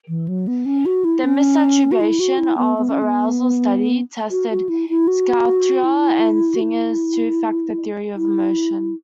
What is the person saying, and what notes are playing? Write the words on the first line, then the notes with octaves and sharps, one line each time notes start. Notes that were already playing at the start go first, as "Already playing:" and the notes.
The misattribution of arousal study tested Schachter and Singer's two-factor theory of emotion.
E3
F#3
B3
C#4
F#4
E4
C#4
F#4
E4
F#4
E4
B3
B3
C#4
B3
F#4
F#4
E4
E4
F#4
E4
F#4
E4
E4